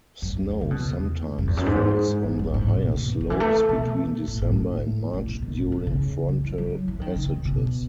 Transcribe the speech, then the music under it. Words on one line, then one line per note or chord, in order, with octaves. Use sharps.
Snow sometimes falls on the higher slopes between December and March during frontal passages.
F#2
F#2
F#2
C#3
B2
E2
F#2
E2
F#2
G#2
E2
F#2
G#2
B2
A2
B2
D#3
E3
A3
B2
A2
A2
A2
B2
B2
A2
B2
C#3
D#3
E3
F#3
E3
D#3
C#3
B2